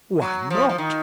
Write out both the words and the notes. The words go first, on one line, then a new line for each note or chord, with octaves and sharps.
"Why not?"
F#3
F3
F3
D#3